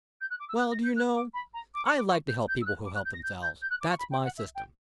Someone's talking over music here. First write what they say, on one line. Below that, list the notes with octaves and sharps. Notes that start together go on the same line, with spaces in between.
"Well, do you know, I like to help people who help themselves--that's my system."
G6
F#6
D6
E6
F#6
A#6
G6
F#6
D6
B5
A#5
D6
C#6
D6
C#6
G6
G6
E6
F#6
D6
F#6
G6
A#6
G6
G6
G6
F#6
D6
C#6
B5
G5
F#5
E5
G5